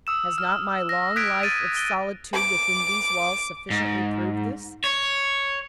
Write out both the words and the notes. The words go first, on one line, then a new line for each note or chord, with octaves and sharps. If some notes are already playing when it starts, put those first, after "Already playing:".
Has not my long life of solitude within these walls sufficiently proved this?
D#6 E6 E7
F6
A#6
D#6 F#6 G#6 B6 D7
A6 D#7
G7
D6
G#2
C#5